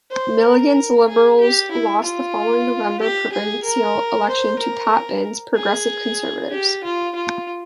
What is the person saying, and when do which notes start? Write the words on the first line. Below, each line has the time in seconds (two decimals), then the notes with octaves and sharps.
Milligan's Liberals lost the following November provincial election to Pat Binns' Progressive Conservatives.
0.11 C5
0.44 A#4
1.08 G#4
1.40 G4
1.71 E4
2.04 F4
3.00 G4
3.32 G#4
3.63 A#4
4.28 C5
4.59 A#4
5.56 G#4
6.51 G4
6.84 F4
7.15 F4